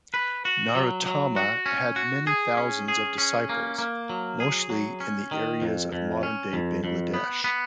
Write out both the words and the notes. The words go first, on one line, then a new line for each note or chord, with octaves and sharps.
Narottama had many thousands of disciples, mostly in the areas of modern day Bangladesh.
B4
F#4
F#3
F#3
F#4
C#4
F#4
G#4
C#4
G#4
C#4
A#3
A#3
F#3
G#4
F#3
C#4
D#3
F2
F2
C#4
F2
F2
B3
B3